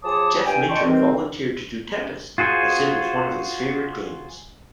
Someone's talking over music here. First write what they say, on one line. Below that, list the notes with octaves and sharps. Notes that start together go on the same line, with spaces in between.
Jeff Minter volunteered to do "Tempest" as it was one of his favorite games.
F3 G#4 C#5 A5 D6 D#6
G2 G5 G#5
D5 D#5 G5 A5 C6 C#6
C3 D#3 E3 G3 C4
F4 F#4 G#4 C5 G#5